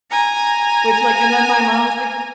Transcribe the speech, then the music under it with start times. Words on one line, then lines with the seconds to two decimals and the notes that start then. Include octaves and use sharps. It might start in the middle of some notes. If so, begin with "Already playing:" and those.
Which, like, and then my mom's like
0.11 G#5 A#5